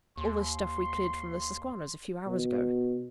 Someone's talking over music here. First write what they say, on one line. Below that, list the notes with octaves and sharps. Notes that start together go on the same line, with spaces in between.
All this stuff we cleared from the Susquannas a few hours ago.
D#2 C6
B2